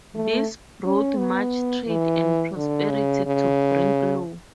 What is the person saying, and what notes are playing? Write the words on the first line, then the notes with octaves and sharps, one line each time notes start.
This brought much trade and prosperity to Brinklow.
A3
C#4
B3
E3
D3
C#3
C#3